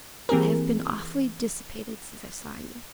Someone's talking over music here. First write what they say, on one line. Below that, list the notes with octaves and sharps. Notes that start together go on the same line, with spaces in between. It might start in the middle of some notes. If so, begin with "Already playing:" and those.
'I have been awfully dissipated since I saw you.'
E3 A#3 C4 G4 G#4 A#4